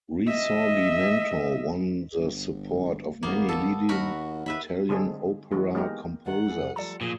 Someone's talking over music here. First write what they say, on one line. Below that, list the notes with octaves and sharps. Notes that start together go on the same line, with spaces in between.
Risorgimento won the support of many leading Italian opera composers.
D#5 E5
G1
G#1 A#3 B3
A4
D#2 F#4 A#4 B5
D#2 B4 E5 B5
D3 G3 G#3 C4 G#4 A4
E3 F3 G#3 F#4
G#3 A#3 B3 D#4 G4 A#4
D#3 G#3 D4 F#5
F2 A3 G#4
F3 G3 A4 D5 A#5
A#2 F3 G#4